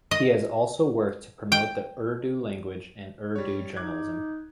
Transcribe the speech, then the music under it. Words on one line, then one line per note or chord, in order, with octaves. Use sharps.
He has also worked to promote the Urdu language and Urdu journalism.
D#5
G5
G3 C#5
D#4 D6 F#6 G#6